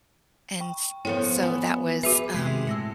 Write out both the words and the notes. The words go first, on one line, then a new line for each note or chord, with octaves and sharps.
And s so that was, um
G5 C#6
F3 B3 C#4 E4 A4 C#5 G5
B3 F4 G#5
F#4 G#4 B4 E5
C3 G#3 G#6 B6 C7
A2 E6 A#6 C#7